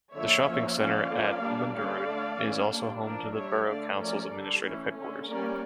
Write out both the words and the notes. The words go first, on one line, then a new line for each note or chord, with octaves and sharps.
The shopping centre at Linderud is also home to the borough council's administrative headquarters.
D3 F3 A#3 C#5 E5
F3 A#3 C#4
F3 C#4 D5 F5
D3 F3 A#3 C#4
G3 A#3 D4
D3 G3 C#4 D5 F5
D3 A3 D4
E3 A3 C#4
G3 A#3 D4
F3 A#3 D4 A#4 D5
G3 D4 C#5 E5
D3 A3 D4 D5 F5
F3 A3 C#4 A#4 D5
D3 G3 D4
E3 A3 C#4
D3 A3 C#4
G3 A#3 C#4 A#4 D5